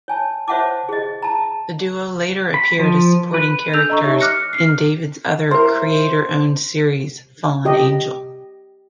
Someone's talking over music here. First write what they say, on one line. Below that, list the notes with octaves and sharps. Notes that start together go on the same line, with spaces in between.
The duo later appeared as supporting characters in David's other creator-owned series, "Fallen Angel".
C#5 G#5 A5
C5 C#5 E5 F#5 A5 D6
G#4 D#5
A5 A#5
B5
F3
B4
D4 A4 E6 G6 F7
D#5 A#5 C#6
D#4 G4 C#5 E5
D6 F6 F#6 A#6 C#7
F6 C7
E4 A#4 C5
G4 D#5